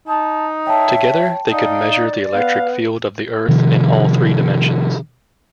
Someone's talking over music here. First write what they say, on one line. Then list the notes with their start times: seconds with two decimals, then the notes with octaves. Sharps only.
Together they could measure the electric field of the earth in all three dimensions.
0.08 D#4 A5
0.67 C#5 E5 G5 A5
1.52 D#4 D5 F5
2.33 B3 B4 F5
3.48 C3 D#3 F3